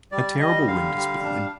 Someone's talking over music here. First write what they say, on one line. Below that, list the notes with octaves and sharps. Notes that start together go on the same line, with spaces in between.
A terrible wind is blowing.
G3 D5
G3 D#5
D3 F5
G3
D4